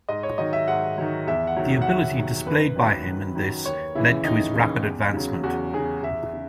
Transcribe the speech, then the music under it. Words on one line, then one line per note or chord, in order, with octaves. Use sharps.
The ability displayed by him in this led to his rapid advancement.
G#2 D#5
C#5
D#3 F#3 D#5
E5
G#2 F#5
D#3 F#3
E2 E5
F#5
D#3 F#3
F#5
E2 E5
D#3 F#3
F#2 B4
D#3 F#3
F#2
D#3 F#3
D#2 C#5
C#3 E3 E4
D#2 D#4
C#3 E3
E2
C#3 F#3
E2 F#4
C#3 F#3 G#4
E2 E5
C#3